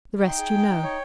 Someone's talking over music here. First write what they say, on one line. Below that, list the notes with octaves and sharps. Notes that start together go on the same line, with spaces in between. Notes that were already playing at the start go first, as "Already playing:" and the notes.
The rest you know.
D#4 G5
G#4
D#4
D#4
C#5